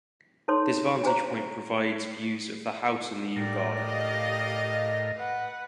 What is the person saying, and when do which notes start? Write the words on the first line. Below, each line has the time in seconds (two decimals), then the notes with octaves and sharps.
This vantage point provides views of the house and the Yew Garden.
0.48 D#4 A4 C#5 C6
1.03 D4 F#4 G#4 C5 C#5 A#5
3.36 A2 G4 A#4 D5
3.81 D#5 F5
5.16 B4 F#5